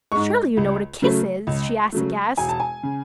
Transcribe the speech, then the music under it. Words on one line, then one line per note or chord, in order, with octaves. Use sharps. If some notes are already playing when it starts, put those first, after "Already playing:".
"Surely you know what a kiss is?" she asked, aghast.
G#2 G#3 C#6
C#2
C#3 F#3 A3
C#2
C#3 F#3 A3
E1 G#5
A5
G#5
C#3